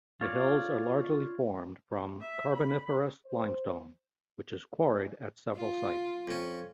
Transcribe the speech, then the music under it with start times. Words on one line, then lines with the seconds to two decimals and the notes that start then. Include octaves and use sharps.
The hills are largely formed from Carboniferous Limestone, which is quarried at several sites.
0.21 F4 C#5 D5 F5
2.21 E5
2.54 B5
3.25 C5
5.56 F4
6.27 F2 C#4